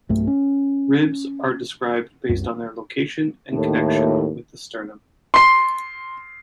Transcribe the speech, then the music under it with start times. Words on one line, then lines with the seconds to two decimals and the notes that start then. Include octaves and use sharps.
Ribs are described based on their location and connection with the sternum.
0.09 B1 G2 A3
0.27 C#4
2.29 C2 F#2
3.53 D#2 A2
5.34 C6 C7